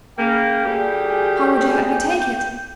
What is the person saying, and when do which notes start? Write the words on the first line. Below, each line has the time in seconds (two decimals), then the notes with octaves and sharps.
How would you have me take it?
0.19 C#3 A#3 G5
0.66 D2 G3 G4 G#4